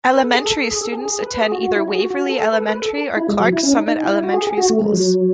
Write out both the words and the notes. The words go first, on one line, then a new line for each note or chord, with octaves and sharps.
Elementary students attend either Waverly Elementary or Clarks Summit Elementary schools.
B4
A4
G#4
A4
A4
G#4
A4
G#4
G#4
B4
G#4
F#4
F#4
E4
F#4
G#4
F#4
F#4
A4
B4
A4
B4
A4
E4
G#3
F#3
E4
C#4
D#4
D#4
E4
F#4
G#4
G#4
F#4
A3
G#3
F#3